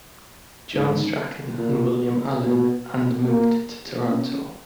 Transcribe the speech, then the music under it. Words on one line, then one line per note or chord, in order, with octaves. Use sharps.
John Strachan and William Allan and moved to Toronto.
G#2
A#2
B2
A#3
C#4